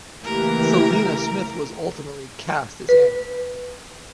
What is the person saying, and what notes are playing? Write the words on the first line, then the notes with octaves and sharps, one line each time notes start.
Celina Smith was ultimately cast as Annie.
C#3 E3 A3 A#3 G4 A#4
B4